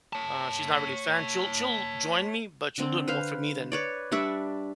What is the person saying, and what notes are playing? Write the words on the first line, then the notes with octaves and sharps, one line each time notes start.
Uh, she's not really a fan. She'll she'll join me, but she'll do it more for me than
C#5 A5
D3 C4
B4 C5 F5
B4 C#5 D5
G3 D4 E5 C#6